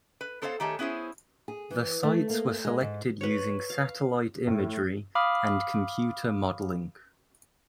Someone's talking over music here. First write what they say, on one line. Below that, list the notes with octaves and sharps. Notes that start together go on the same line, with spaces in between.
The sites were selected using satellite imagery and computer modeling.
B4
B3 A4 C5 C#5 D#5 F5
D#3 A3 G4 G#4 C#5 A5
B3 C#4 E4 G#4 C5
G#4
E3
A3
A#3
G#3
G#2
B4 C#5
F5
A2
F5 B5 D6 D#6 F6